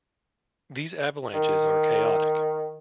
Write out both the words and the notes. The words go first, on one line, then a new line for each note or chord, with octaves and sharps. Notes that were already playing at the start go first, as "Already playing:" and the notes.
These avalanches are chaotic.
D#3